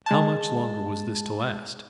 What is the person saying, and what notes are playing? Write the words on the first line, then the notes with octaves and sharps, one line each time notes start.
How much longer was this to last!
G#3 A5